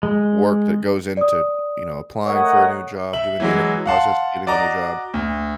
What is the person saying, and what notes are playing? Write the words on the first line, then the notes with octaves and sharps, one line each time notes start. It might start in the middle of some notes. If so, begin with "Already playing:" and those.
work that goes into, you know, applying for a new job, doing the interview process, getting the new job,
G#3
D5 D#6
A3 A#4 C#5 D#5 F#5
E5 F#7
E3 F#3 G#3
F5 F#5 A5 C6
F#4 D5 D#5 A#5 D6
D2